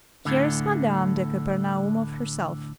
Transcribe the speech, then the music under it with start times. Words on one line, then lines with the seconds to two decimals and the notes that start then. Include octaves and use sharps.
Here is Madame de Kapernaumov herself.
0.25 D2 A2 D3